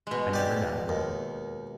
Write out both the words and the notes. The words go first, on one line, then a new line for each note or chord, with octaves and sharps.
"I never doubted it."
B2 G#3
G4 D5
D#2